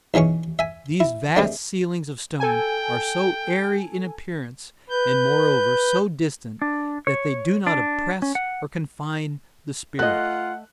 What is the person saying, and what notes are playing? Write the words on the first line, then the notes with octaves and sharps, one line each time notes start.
These vast ceilings of stone are so airy in appearance, and moreover so distant, that they do not oppress or confine the spirit.
B1 E3 G#3 C#4 C#6
E5 G#5
E4
C3 G#3 A3 D4
A4 G5 G#5
B4 G6
D4
C#5
D4
C#4
F#5
A3 F4 D#5 F#5 F#6